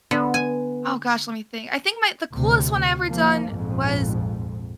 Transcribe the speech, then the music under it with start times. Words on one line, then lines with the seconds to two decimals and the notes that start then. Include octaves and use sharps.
Oh, gosh, let me think. I think my the coolest one I ever done was
0.11 D3 B3
0.34 G#5
2.32 D2 C3
3.08 F3 A#3
3.51 A#1 F2 G#2